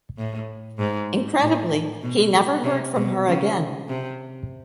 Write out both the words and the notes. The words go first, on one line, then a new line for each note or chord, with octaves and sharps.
Incredibly, he never heard from her again.
A2
G#2
A2
B2
C3
B2
C#3
C3